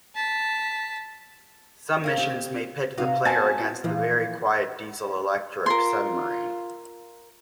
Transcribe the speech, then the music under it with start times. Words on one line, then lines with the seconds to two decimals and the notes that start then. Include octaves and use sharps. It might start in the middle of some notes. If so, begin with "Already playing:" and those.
Some missions may pit the player against the very quiet diesel-electric submarine.
0.15 A5 B6
2.04 A#4 F5
2.17 C4 G4
2.98 C3 D#4 F#4 B4 F5
3.25 B3 C4 F#4 G#5 A5 A6
3.84 A#2 E3 F3
5.66 F4 A#4 C6